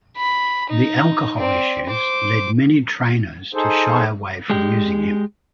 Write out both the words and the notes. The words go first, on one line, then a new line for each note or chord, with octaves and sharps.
The alcohol issues led many trainers to shy away from using him.
B5
D#4
C4 D5
C5 D6
D#4 G#4 A4 C5
G#3 G4